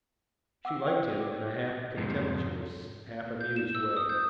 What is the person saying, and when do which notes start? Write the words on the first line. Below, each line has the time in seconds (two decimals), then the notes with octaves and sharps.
She liked him in a half-contemptuous, half-amused way.
0.65 F#5 D6 E6
0.86 C5 D5 G5
1.21 D6
1.97 F2 G#2 C3
3.41 G6
3.56 E7
3.75 E6
3.97 D#6
4.09 G6